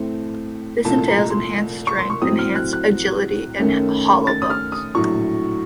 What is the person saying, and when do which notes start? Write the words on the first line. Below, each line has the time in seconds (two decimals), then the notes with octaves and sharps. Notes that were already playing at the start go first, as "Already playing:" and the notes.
This entails enhanced strength, enhanced agility, and hollow bones.
Already playing: A2 A3 C4
0.85 C2 A#2 F3 A3 A5
1.08 A#5
1.30 C6
1.87 C#6
1.99 C6
2.10 C#6
2.21 A2 F#3 C4 D#6
2.39 F6
2.56 F#6
2.73 F#6
3.58 F#2 D#3 A3 C#4
4.27 A6
4.42 D#6
4.50 F6
4.72 D#6
4.95 A#1 A2 F#3 C#6